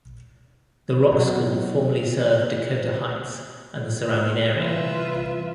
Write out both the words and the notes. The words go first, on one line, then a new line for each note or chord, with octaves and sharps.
The Rock School formerly served Dakota Heights and the surrounding area.
B2 F#3
C2 E3 F4 B4 E5